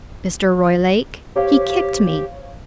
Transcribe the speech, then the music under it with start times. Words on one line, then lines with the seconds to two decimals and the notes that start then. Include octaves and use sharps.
Mr. Roylake, he kicked me.
1.36 G4 C5 C#5 F5